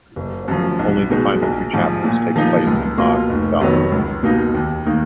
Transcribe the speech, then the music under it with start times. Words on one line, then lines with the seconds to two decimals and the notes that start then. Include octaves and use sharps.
Only the final two chapters take place in Oz itself.
0.16 F#1
0.48 F#2 F3
0.79 B1
1.10 B2 G#3 D#4
1.42 A#1
1.73 G#2 F3
2.04 A#2
2.36 F3 A#3 D#4
2.67 C#2
2.98 B2 A#3 F4
3.29 F1
3.61 F2 D#3 F#3 B3
3.92 C#2
4.23 B2 A#3 D#4
4.54 D#2
4.86 D#3 A#3 D#4